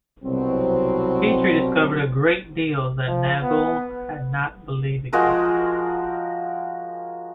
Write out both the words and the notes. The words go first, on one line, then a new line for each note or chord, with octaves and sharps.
Petrie discovered a great deal that Naville had not believed existed.
C2 B2 F#3 C4
F3
B3
F3 G#3 F#4 A#4